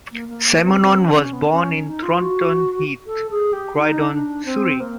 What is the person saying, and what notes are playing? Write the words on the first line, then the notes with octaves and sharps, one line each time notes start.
Simonon was born in Thornton Heath, Croydon, Surrey.
A#3
A#3
A#3
C4
C4
C#4
C#4
B3
C#4
D#4
F4
F#4
A4
G#4
G4
D#4
D4
C4
A#3